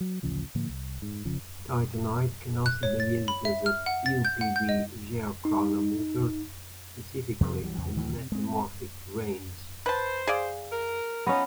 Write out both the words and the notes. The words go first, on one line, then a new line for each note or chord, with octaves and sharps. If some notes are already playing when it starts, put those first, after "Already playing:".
Titanite can also be used as a U-Pb geochronometer, specifically in metamorphic terranes.
F#3
A1 D2 C#3 F3
A2 D3 F3 A#3
C2
G#2
F1 C#3 F3
F#6
C#5
A6
B5
E5
F6
F#5
A6
G6
F#5
G6
D#5
D#4
F2 C3 F3 G3
B1 E3 F#3 G3
E2 C#3
D2 D#3 E3 F#3
C3
G#3 C4
B4 C5 A5
G#4 D5 F5
A#4
B3 C#4 D#4 F4